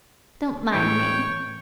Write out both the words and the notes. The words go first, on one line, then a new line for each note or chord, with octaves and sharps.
"Don't mind me."
A2 E3 G#3 C#5 G5